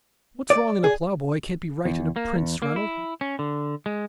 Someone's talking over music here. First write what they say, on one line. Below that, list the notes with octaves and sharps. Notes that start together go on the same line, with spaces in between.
What's wrong in a ploughboy can't be right in a prince, Ranald.
D5
G#4
E2
A#3
E2
A#3
E4
C#4
D3
G#3